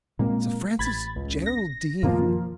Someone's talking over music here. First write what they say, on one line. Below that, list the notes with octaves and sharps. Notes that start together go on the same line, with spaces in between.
"Sir Francis Geraldine!"
A#2 G#3 A#3 C4
A1 B5 G#6 A6
C#2
A#6
F#2 B2 D#3 F3 A#3 F4